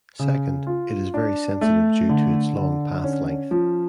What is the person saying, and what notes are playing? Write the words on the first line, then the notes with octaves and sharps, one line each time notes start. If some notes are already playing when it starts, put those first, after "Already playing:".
Second, it is very sensitive due to its long pathlength.
C#3
F4
D4
A3
D3
D3
C#4
F3